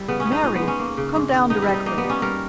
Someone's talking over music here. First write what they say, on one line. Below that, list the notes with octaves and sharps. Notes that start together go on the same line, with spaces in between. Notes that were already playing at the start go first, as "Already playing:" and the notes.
"Mary! come down directly."
Already playing: G3 E4
C#3 B3
C#4
B3
D#4
A#2 D#4
B3
G#3
C#4
A#3
C#3
G#2
D#3
B3 D#4
E4
G3
D#4
A#3 D#4
B3
G3
C#4
G3 A#4